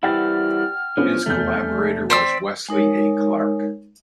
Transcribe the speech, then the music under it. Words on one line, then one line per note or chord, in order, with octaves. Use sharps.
His collaborator was Wesley A. Clark.
E3 G3 E4 F#5 G5 F6 A6
F3 B3 C#4 D4
F1 E2 A3 G6
C4 D5 E6 B6 D7
G#3 D#4 A#4 C#5